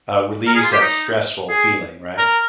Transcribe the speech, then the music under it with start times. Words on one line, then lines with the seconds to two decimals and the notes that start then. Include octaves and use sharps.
uh, relieves that stressful feeling, right?
0.47 A#4
0.55 G#4
0.64 F4
0.72 G4
0.81 D#4
1.49 G#4
2.18 A#4